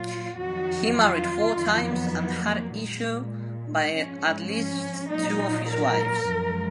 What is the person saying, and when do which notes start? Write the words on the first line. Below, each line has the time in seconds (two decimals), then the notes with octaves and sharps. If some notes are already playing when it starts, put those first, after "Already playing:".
He married four times and had issue by at least two of his wives.
Already playing: A#2 F#3 F4
0.36 F2 D#3 F#3 F#4
0.96 F4
1.55 F2 D#3 F#3
1.85 B3
2.44 A#3
2.73 A#2 G#3
3.90 G#2 F3 G#3 C#4
4.50 C#4
5.09 A#2 F#3 D#4
5.69 A#4
6.28 F#2 F3 G#3